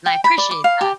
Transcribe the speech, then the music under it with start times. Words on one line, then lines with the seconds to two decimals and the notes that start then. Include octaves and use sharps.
And I appreciate that.
0.06 G5
0.24 B5
0.38 D5
0.51 D6
0.64 F5
0.81 G4